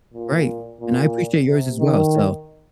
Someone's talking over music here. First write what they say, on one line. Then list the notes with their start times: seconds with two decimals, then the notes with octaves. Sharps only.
Right, and I appreciate yours as well, so,
0.14 A#2
0.80 A#2
1.46 C3
1.79 D#3